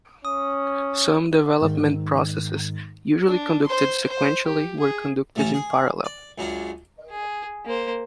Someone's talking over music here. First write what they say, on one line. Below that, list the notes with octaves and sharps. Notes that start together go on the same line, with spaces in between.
Some development processes usually conducted sequentially were conducted in parallel.
C#4 D#6
G#2 D#3
D4
C5 C6
C5
G4
G#4
A1 A3 C#4 A5 A#5
G#4
D5
C#2 F#2 C#4 D4 A#5
G#4
A#3 C5